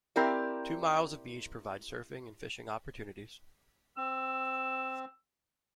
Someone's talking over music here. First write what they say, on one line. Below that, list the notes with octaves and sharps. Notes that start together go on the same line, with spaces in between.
Two miles of beach provide surfing and fishing opportunities.
C4 E4 G4 A#4 D5
C4 E6